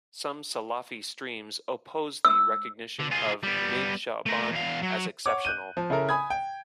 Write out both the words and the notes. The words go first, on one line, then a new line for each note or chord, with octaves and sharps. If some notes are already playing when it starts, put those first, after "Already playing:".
Some Salafi streams oppose the recognition of Mid-Sha'ban as exceptional.
E6
D3
F4 G#4
G3 B3
A3 A#4
E2 F5
F#3
C#5 F#5 D6
F#6 G6 D#7
F3
C#3 E4 A4 A#4
G#5 B5 D#6 G#6
G5